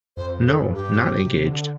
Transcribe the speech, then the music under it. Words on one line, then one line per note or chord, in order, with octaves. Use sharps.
No, not engaged.
F2 C5
A4
G2
G4
C3
D3